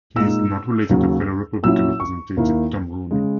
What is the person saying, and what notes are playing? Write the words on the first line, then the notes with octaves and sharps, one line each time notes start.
He is not related to fellow Republican representative Tom Rooney.
A#2 G#3 D#4 E6
D#2 C#3 F#3
A#2 F#3 C#4 E4 E6
C#6
D#2 D#3 A#3 E4
C#3 G#3